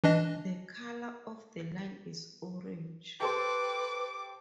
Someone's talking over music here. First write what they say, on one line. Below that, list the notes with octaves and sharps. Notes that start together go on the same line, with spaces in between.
The color of the line is Orange.
E3 D4 D#5
G4 A4 B4 C5 D6